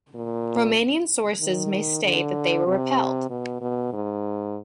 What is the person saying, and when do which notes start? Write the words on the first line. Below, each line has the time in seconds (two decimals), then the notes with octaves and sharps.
Romanian sources may state that they were repelled.
0.15 A#2
1.40 D#3
2.04 D3
2.67 C3
3.30 B2
3.61 B2
3.93 G#2